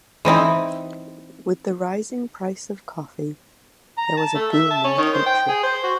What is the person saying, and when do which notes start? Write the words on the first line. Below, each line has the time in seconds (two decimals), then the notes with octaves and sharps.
With the rising price of coffee, there was a boom in the country.
0.25 E3 C4 D#4 E4
3.98 A#5
4.17 A5
4.35 A3
4.52 E5
4.71 A5
4.84 C#4
4.98 D#3
5.14 C5
5.26 G5
5.49 G#4
5.63 C5
5.83 F#4